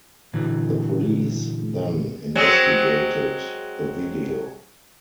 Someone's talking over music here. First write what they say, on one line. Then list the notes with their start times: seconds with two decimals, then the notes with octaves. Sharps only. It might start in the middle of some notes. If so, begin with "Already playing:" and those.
The police then investigated the video.
0.33 A#2 D3 E3 F#3
2.35 F#3 G#3 C4